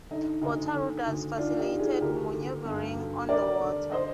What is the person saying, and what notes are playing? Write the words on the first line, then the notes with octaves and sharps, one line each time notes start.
Water rudders facilitated manoeuvring on the water.
D3 D#4
D2 D#4
D3
D2
D#3 D4 F4
D#4 G4
D#3
F4 G#4
D2 G4 A#4
D2
G2
D3
D3 A#4 D5
D3
C5 D#5